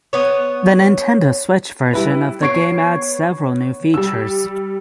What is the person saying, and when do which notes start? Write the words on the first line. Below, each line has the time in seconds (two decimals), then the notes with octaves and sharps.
The Nintendo Switch version of the game adds several new features.
0.13 B3 C#5
1.93 G3 E4 B4
2.41 B3 C#5 C#6 G#6 C7 D7
3.94 G3 E6